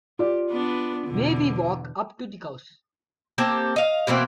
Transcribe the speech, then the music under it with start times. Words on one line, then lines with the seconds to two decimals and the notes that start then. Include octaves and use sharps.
May we walk up to the House?
0.19 F4 G4 D5
0.50 B3 D4 B4
1.07 E2 B2 D3
3.38 A#3 C4 G4 A4
3.76 D#5 F5
4.07 B2 E3 A#3 C4